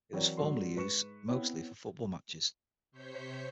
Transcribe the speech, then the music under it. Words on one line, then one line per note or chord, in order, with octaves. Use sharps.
It was formerly used mostly for football matches.
E3 F#3 C4 A#4 C#5 D5
G#2 F#3 D4 C6
G#2 B4 C#6 C#7 E7
B3 C4 E4 C#5
C3 C5 C#5 G6 B6 C#7